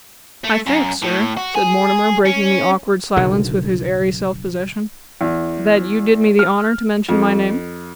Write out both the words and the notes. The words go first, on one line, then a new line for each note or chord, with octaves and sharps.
'I think, sir,' said Mortimer, breaking the awkward silence with his airy self-possession, 'that you did me the honour to mention my name?'
A3
F#2
A2
F#4
G#4
C#4
F#1 B1 F#2 D3
E2
F6
F2